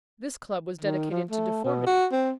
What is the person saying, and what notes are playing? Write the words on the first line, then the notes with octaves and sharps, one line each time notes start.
This club was dedicated to deformity.
D#3
F3
A3
B2
F#4
C4